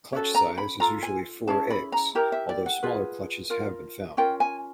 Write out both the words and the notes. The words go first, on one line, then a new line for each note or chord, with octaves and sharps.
Clutch size is usually four eggs, although smaller clutches have been found.
C#4 F#4 A4
A#5
B5
F4 A4 A#5
G#5
C#4 E4 G#4 A5
B5
A#5
E4 G4 A#4 A#5
E5
D5
F#5
F4 G#4 B4
F4 A#4
C#4 F4 A#4 G5
G#5